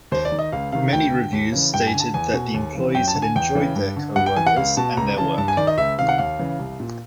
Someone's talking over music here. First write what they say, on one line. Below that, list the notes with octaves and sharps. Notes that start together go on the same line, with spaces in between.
Many reviews stated that the employees had enjoyed their coworkers and their work.
D#2 C5
D5
D#3
D#5
C#2 F5
C3 D#3 F5
D2 G5
D3
D#2
C#3 E3
G2 G5
G#5
D3
A5
E2 G#5
B2
D#2
C#3 E3
F#2 G5
A5
D3
G#5
E2 G5
C#3 E3
G2
D3
G2 F#5
G5
E3 G#5
F#5
C#2 F5
B2 A5
C#2 A#5
C#3 E3 A5
G2 A5
G#5
D#3 D5
D#5
C#2 E5
C3 D#3 F5
F#5
D#2 F5
C#3 E3
C2
A#2